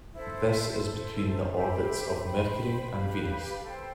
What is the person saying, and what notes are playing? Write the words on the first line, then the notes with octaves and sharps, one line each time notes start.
This is between the orbits of Mercury and Venus.
E4 A4 C5 E5
E4 A4 C5
G4 C5 E5 B5
C5 G5 B5
G4 B4 F5 B5
A4 C5 G5